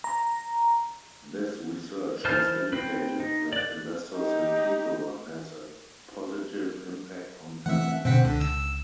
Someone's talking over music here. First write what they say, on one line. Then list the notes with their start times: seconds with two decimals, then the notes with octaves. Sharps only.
This research has indicated that Investors in People has a positive impact on performance.
0.04 A#5
2.25 E3 C5 A5 F6
2.73 C4 B4
3.20 D#4
3.53 D5 F#6
4.15 D#4 G4
7.66 E3 A3 C4 E5 F#5
8.05 B2 D3 C4 F#5 B6
8.25 C#2 D3
8.40 E6